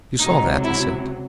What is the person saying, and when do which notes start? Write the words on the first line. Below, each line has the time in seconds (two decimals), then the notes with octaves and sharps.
"You saw that?" he said.
0.19 C#2 C3 F#3 D#4
0.63 E4